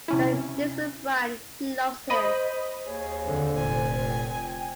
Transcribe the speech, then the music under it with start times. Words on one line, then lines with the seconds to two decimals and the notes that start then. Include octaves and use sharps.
When she's with Brian she loves him.
0.08 C3 C#4 E4
2.10 C5 D#5 B5
2.86 D#2 G#4 C#5
3.24 F2 D3 C5
3.57 F1 A#2 G#5
4.09 G5